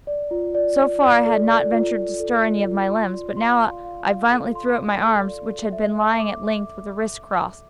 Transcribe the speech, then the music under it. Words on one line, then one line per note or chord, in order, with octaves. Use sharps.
So far, I had not ventured to stir any of my limbs--but now I violently threw up my arms, which had been lying at length, with the wrists crossed.
D5
F4
D5
D5
D5
A4
D5
F4
F4
A4
F4
F4
C6
D5
C6
F5
F5
F5
A4
C6
C6
A4
D5
A4
E5
E5
D6